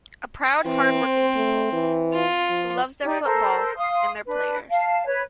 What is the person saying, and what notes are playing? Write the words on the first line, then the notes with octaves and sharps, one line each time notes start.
A proud, hard-working people, who loves their football, and their players.
E3 C4
C5
A3
E3
F4
F3
D#4 G4 D5
A4 A#4 C5
F5 C6 D#6
D4 B4
F5 A5
B4 C#5